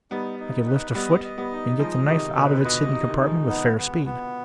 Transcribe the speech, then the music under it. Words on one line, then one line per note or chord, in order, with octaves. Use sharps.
I could lift a foot and get the knife out of its hidden compartment with fair speed.
G3 B3 D#4
D#4
B4
G3 B3 D#5
D#5
G3 B3
D#4
F3 G#3 D#5
C3 D#3 D#4
B2 D3 B4
B2 D#5
C3
D#4
C3 D#3
D#4
F3 G#3
B3
B3
B3